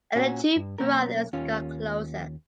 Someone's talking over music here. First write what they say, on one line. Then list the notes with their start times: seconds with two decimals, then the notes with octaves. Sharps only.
And the two brothers got closer.
0.15 A#2 C#4 F#4
0.56 G2
0.78 B1 A#3 C#4 A#4
1.33 D#2 C#4 F4